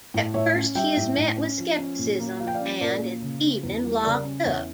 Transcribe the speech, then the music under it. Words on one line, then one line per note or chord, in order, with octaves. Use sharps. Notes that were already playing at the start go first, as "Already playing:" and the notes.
At first he is met with scepticism, and is even locked up.
A2
A2 C#5 E5
C#4
G3 E5 G5
A2
A2
C#4
F3
C#4
A#2
A#3
F3 F5
G5
D5 F5
C#4
A#2 A#4 D5
A#3
C#3
C#4
E2
G3
C#3 A#4 D5
C#4
E2 C#5 E5